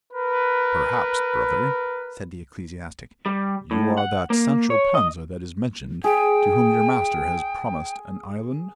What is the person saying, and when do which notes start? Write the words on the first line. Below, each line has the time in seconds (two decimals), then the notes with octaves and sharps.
"Perhaps, brother," said the ecclesiastic, "you are that Sancho Panza that is mentioned, to whom your master has promised an island?"
0.13 A#4 B4
3.26 G3
3.71 A2
3.98 F#5
4.30 A#3
4.70 C#5
4.95 D#5
6.04 G#4 G5